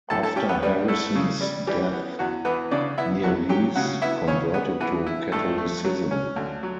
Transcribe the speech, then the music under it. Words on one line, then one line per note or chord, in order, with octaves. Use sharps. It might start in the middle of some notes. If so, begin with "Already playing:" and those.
After Harrison's death, Mirrlees converted to Catholicism.
A2 A4 A5
A4 A5
C#4 G4 G5
B3 B4
G3 B3 B4
A3 E4 A4
C#3
G3
E3 G3 G4
B3
E2 F#4
E3 B3 B4
C#3 D4 D5
B3 E4 E5
E2 F#4 F#5
F#3 G4 G5
C#3 F#4 F#5
B3 E4 E5
C#3 C#4 C#5
B3 B4
E3 B3 B4
E4
G2 A3 A4
A3
F#3
C#4
D2
F#3